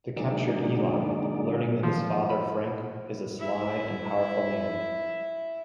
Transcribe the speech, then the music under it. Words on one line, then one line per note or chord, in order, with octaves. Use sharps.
They capture Eli, learning that his father Frank is a sly and powerful man.
D3 F#3 G#3 A#3 D#4 D5
F3
B5
E4 E5